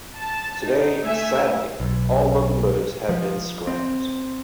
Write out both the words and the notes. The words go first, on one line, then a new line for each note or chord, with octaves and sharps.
Today Sadly all locomotives have been Scrapped.
A5
D#4
A3 E5 G#5
B1
F3
C4